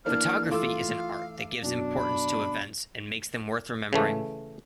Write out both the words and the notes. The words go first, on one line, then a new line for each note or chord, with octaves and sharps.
Photography is an art that gives importance to events and makes them worth remembering.
E3 A#3 D4 F6
E3 A3 F4 A4 F5 D6 E6
F#2 B2 D4
B5
C#3 E3 A3